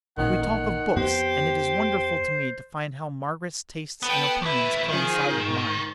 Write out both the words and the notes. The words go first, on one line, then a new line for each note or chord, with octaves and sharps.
We talk of books; and it is wonderful to me to find how Margaret's tastes and opinions coincide with mine.
A1 A#2 D#3 F#5
D#3
F2 B3 G4 C5
B3 A4 F#5 G5
D#2 E4 B4
D#3 F3 F4 G#4
G#2